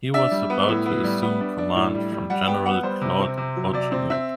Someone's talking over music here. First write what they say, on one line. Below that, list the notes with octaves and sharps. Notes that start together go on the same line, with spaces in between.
He was about to assume command from General Claude Auchinleck.
D4 E5
G3
B3
A2
B3
G3
B3
D4
D4
A2
G3
G3
G3 F#5
B3 G5
B3 F#5
G3 C5
C3
C4
C3
F#3
C3 D5
C4
C4 E5